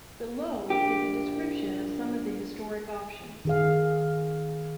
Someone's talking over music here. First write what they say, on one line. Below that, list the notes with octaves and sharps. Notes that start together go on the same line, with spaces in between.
Below is a description of some of the historic options.
A#1 G4
D#3 G#4 F5